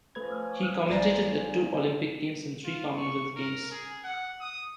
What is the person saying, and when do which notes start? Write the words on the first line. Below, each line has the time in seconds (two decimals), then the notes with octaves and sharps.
He commentated at two Olympic Games and three Commonwealth Games.
0.15 F3 A3 C#4 B4 G#6
0.89 G#1 E3 G3 E4 D5 A#5 C7
2.65 F4
2.96 C#6
3.37 A#4
3.71 G#4
4.05 F#5
4.41 D#6